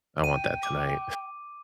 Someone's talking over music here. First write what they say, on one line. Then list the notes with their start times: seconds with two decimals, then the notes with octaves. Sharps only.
I want that tonight
0.24 G5 D#7
0.63 D6